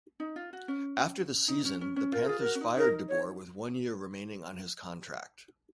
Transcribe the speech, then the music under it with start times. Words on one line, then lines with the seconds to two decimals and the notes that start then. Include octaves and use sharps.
After the season, the Panthers fired DeBoer with one year remaining on his contract.
0.20 D#4
0.36 F4
0.53 F#4
0.68 C#4
1.48 D#4
1.65 C#4
1.81 C#4
1.96 C#4
2.12 F4 A#4
2.26 F4 G#4
2.39 A#4
2.46 F#4
2.55 C#4
2.61 D#4
2.77 D#4 A#4
3.09 C#5